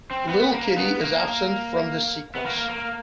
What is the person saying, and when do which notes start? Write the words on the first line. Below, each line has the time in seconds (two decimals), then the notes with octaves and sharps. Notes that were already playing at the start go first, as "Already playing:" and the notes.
Little Kitty is absent from this sequence.
0.11 C4
0.29 B3
0.53 A#3
0.77 B3
1.00 A#3
2.35 B3
2.46 A#3
2.70 A#3